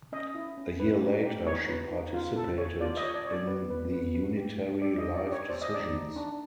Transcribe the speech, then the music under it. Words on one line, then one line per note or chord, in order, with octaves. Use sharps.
A year later she participated in the Unitary Life Decisions.
C#4 D#5
E4
C#4
B4
D#4
G4
D#4 C#5
B4
D#4
F4
A4
C#5
F4 D5
D#5
C#5
D5
C#5
D5
B4
B4
B4
B4
G4
G4
G4 D5
D#5
D#4
D5
G4
C#5
C5 D5
D#5
D#4 D5
D#4
D4